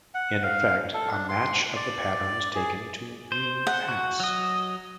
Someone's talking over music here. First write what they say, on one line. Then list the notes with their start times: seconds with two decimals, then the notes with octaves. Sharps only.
In effect, a match of the pattern is taken to mean pass.
0.15 F#5
0.43 F5
0.94 A4
1.11 D4
1.29 C6
1.76 D5
2.55 G#4
3.32 C5
3.67 F#5
3.88 F#4
4.20 F#3 D#5